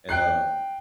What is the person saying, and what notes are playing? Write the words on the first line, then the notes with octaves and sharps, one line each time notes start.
and, um,
G5 F#6 C7